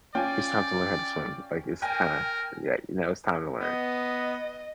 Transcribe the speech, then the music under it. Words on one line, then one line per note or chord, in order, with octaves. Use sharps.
it's time to learn how to swim." Like, it's kinda yeah, you know, it's time to learn.
C#4 F4 D5 G5 G#5
A#4 G5 G#5
B3 D#5